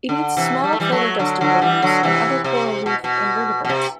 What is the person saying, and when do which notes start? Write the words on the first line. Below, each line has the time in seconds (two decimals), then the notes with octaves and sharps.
It eats small feather duster worms and other coral reef invertebrates.
0.09 D3
0.37 C3 E3
0.64 G3
0.73 A3
0.80 E3 G3
0.92 F#3 A3
1.19 D3 F#3
1.41 D3 F#3
1.61 E3 G3
1.82 D3 F#3
2.03 C3 E3
2.44 C3
2.86 B2
3.04 B2
3.65 B2
3.69 C3